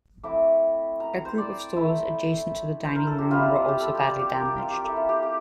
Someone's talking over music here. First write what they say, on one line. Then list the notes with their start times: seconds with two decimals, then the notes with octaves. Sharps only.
A group of stores adjacent to the dining room were also badly damaged.
0.24 A3 C4 E4 D6
1.00 A#5
1.13 A#5
1.25 C5
1.38 D5
1.76 A3 E4
2.85 C5
2.96 A#4
3.07 A4
3.18 G4
3.31 G3 C4 E4 F4
3.68 G4
3.81 A4
3.95 G4
4.07 D5
4.19 G4
4.33 A#4
4.45 G4
4.58 F4
4.71 G4
4.83 A#3 E4 A4
4.96 F4
5.09 G4
5.23 G4